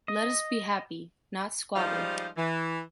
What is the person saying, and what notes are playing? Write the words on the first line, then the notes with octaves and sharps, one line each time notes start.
Let us be happy, not squabble.
D#5
F3 G3 G#3 D#4 C5 F5
E3